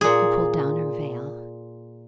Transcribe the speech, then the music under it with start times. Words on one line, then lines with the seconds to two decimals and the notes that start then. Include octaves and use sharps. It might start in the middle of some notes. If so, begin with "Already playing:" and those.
She pulled down her veil.
0.01 A#2 G#4